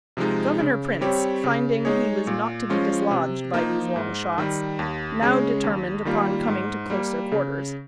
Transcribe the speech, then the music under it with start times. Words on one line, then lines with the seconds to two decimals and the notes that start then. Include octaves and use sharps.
Governor Printz, finding he was not to be dislodged by these long shots, now determined upon coming to closer quarters.
0.17 C3 F3 G#3 D#4
0.59 C#3
1.01 G3 C4 G4 C#5
1.44 C#3
1.85 G#3 D#4 G#4 C#5
2.27 A#2
2.70 F3 G#3 C#4 F4
3.11 C3
3.53 F3 A#3 D#4
3.96 G#2
4.38 D#3 G3
4.79 D#2
5.22 C#3 G#3 C#4 G#4
5.64 D#2
6.05 D#3 G3 A#3 F4
6.47 G#2
6.90 G3 A#3
7.32 C#3